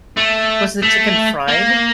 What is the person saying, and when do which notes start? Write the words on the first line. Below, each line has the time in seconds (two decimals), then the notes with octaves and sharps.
Was the chicken fried?
0.17 A3
0.82 A3
1.48 A#3